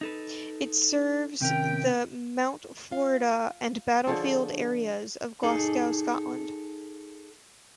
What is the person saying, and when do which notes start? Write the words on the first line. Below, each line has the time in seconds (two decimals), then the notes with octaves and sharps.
It serves the Mount Florida and Battlefield areas of Glasgow, Scotland.
0.01 D#4 A4 B4
1.41 C3 D#3 C#4 G5
2.91 F4 F5
4.07 D3 F3 D4 G#4 A4 C#5
5.43 D#4 G#4 A4